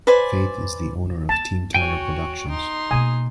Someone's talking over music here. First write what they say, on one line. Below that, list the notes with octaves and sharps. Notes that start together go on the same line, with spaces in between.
Faith is the owner of Team Tyler Productions.
B4 C5 D5 G#5
B3 A5
F#4 C#5 G5 G#5
D#4 C6
B2 A#3 G#5 D#6